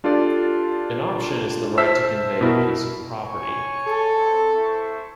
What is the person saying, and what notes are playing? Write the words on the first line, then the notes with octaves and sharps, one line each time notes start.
An option is the right to convey a piece of property.
D4 F4 G4 A4 D5
C5 E5 A5 E6 F6 B6
B2 E4 A#4
C#5 G#5 C#6
A4
C4
E4 C5 C#6